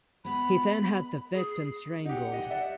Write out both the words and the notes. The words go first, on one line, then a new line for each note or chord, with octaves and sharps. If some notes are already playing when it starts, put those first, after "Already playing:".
He then had the victim strangled.
G#3 B3 B5
G#4
D#4 G4 F#5
G4 D#5
D5 E5